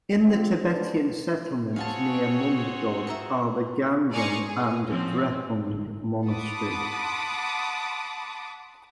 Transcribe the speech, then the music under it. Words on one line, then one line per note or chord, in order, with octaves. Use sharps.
In the Tibetan settlement near Mundgod are the Ganden and the Drepung Monastery.
D3 C4 F4
C#4 D4 B4 C5
C4 F#4 G#4 C#5 F5 G#5 A5
E5 A#5 C#6
D5 G#5 A#5 C6 C#6 D#6
G#4
F3 C4 C#4
G#2
G1
F#5 A5 B5 C6 D6 D#6